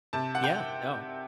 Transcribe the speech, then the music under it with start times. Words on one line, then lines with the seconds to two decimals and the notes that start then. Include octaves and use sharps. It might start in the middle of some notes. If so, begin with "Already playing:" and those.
Yeah, no.
0.13 C3 A5
0.35 F#5
0.44 G5